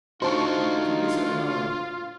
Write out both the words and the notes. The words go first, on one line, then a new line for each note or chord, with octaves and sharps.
Tu ris, animal?
A3 D4 D#4 F4 F#4 C5 A5 C#6